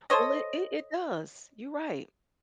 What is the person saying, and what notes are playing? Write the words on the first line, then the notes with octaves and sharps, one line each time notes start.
Well, it it does, you're right.
A4 C5 C#5 D#5